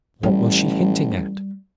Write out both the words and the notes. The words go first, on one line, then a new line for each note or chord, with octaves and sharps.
What was she hinting at?
A1 G3